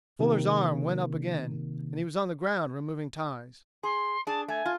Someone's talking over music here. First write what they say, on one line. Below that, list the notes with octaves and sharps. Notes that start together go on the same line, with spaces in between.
Fuller's arms went up again, and he was on the ground removing ties.
C3 D#3 A#3
G#4 C6
D4 G#4 A5
A3 G#5
F4